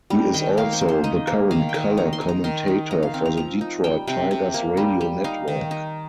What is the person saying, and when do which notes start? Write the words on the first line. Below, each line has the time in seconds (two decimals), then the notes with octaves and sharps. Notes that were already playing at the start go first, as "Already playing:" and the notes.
He is also the current color commentator for the Detroit Tigers Radio Network.
0.10 G3 A#5
0.34 D#3 G5
0.57 A#3 F5
0.73 C5
0.81 A#3
0.89 C5
1.04 D#4 D#5
1.27 A#3
1.51 D#3 F5
1.69 G5
1.74 D#3 A#5
1.97 D#4 A#5
2.13 C6
2.21 D#4
2.29 A#5
2.44 D#3 C6
2.68 D#4
2.91 D#4 A#5
3.03 F5
3.14 C4 F5
3.26 A#5
3.37 F3 A#5
3.61 D#4
3.84 G3 G5
4.07 C3 G5
4.31 C3
4.54 A#3
4.77 G3
5.01 G3
5.24 D#4 F5
5.48 D#3
5.71 D#4